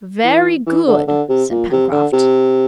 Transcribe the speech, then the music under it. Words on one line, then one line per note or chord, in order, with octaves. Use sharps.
"Very good," said Pencroft.
E3
E3
D3
D3
C3
A#2
C3
D3
C3